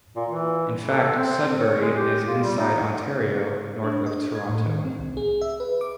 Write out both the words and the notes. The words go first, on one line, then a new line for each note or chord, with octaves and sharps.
In fact, Sudbury is inside Ontario, north of Toronto.
A#2
E3
A4
C4
C#5
G#3
G4
F4
G3
D#4
D4
D#5
G#6
A2
D#3
C4
C2
G#4
E5
B4
D6